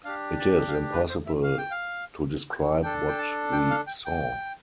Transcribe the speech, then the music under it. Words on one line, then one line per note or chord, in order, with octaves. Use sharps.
It is impossible to describe what we saw.
D4 G4 F5
A5
F5
G5
B4
C5
E5
F5
G5
F5
D4 A4 G5
G5
A5
G5
F5
G5
G5